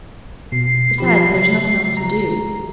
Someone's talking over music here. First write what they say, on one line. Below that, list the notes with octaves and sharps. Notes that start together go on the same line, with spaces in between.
Besides, there is nothing else to do.
B2 C7
F3 G4 B5
C#3 F#3
A#5